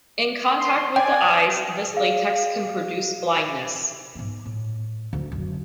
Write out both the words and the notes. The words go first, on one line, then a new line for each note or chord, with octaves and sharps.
In contact with the eyes this latex can produce blindness.
C6
D5 G5 G#5
G#4 F5
G#2 B3
A2
D2
F#1